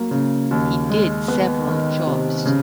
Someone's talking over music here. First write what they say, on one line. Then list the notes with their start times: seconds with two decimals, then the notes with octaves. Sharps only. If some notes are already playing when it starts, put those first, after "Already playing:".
He did several jobs.
Already playing: F#3 A#3
0.11 C#3
0.51 D#2
0.90 G#3
1.28 B3
1.67 D#3
2.07 C3
2.45 C#3